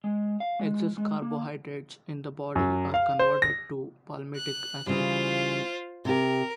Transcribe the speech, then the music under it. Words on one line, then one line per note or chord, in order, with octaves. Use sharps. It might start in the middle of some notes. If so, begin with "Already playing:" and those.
Excess carbohydrates in the body are converted to palmitic acid.
G#3
F5
G#3
G#3
A#3
F#2
F5
C5
A#6
F#6
C#3 E3 G3 F4 C5
C3 G4 A#4